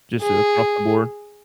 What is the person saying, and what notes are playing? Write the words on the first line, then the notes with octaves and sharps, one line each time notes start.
Just across the board?
G#4